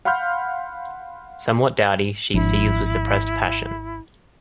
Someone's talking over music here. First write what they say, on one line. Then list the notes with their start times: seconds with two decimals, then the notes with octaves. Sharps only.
Somewhat dowdy, she seethes with suppressed passion.
0.05 F5 F#5 B5 C6 F6 G6
2.34 G#1 F3 D4 E4